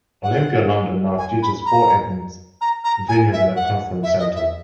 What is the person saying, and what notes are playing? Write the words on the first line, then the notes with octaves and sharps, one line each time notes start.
Olympia London now features four event venues and a conference centre.
F#5
G#5
B5
A#5
A#5
A#5
G#5
E5
F#5
E5
D#5
E5